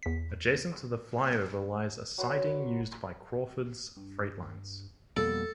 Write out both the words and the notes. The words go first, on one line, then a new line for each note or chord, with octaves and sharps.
Adjacent to the flyover lies a siding used by Crawfords Freightlines.
E2 B6
F#3 B4 B5 C6
G2
F2 B2 G3 A#3 A4